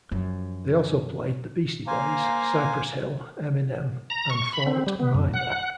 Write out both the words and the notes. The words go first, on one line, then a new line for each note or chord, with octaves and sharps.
They also played the Beastie Boys, Cypress Hill, Eminem and Fort Minor.
F#2 F3
A#3 C5 F5 G#5
A#5
C#6
B5
C4
G3
B3
F#2
F#5